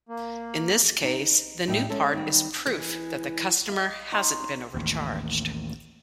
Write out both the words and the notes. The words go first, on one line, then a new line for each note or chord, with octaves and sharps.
In this case the new part is "proof" that the customer hasn't been overcharged.
A#3
D#4
A2 G3 D#4 E4 E5 G5
G#3 C#4 A4 E5
D#3 G3 C4
E3 G#3
D#5 F5
D#4 C#5 A#5 C6
A1 D#2